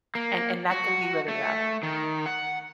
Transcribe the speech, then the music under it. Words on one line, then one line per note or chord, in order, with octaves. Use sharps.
and and that can be really rough.
A#3
F#4
A3
D#3
F#5